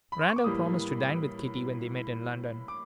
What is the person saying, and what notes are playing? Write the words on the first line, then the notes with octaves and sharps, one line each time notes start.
Randal promised to dine with Kitty when they met in London.
B5
C6
C#6
D6
A2 E3 G3 A#3 D#6
D6